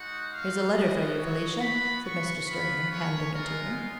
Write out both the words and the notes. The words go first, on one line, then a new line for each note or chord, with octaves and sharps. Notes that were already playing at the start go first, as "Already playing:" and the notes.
"Here's a letter for you, Felicia," said Mr. Sterling, handing it to her.
Already playing: G#3 D#4 F#4 F#5
F5
B3 F#4 D#5
C#5
B3 F#4 B5
C#6
B3 F4 B5
C#5
G#3 B3 F4 A#4